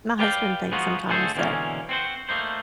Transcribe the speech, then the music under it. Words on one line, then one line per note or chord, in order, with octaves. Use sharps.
my husband thinks sometimes that
G4 B4 D5 F5 G5
F3 G#3 B3 D#4 F4 F#4
D3 A3 G#4 A4 C5
B2 D3 E3 G#3 A#3 C#4
C4 F#4 C5
A3 A#3 D#4 C5